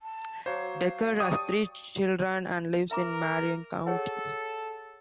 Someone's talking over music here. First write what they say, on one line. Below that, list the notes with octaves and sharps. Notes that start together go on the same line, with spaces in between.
Decker has three children and lives in Marin County.
A5
F#3 C5 C#5 F5 D6
G3 A5 C#6 D#6
A#4 E5 A#5 D6
G#4 A4 C#5 F#5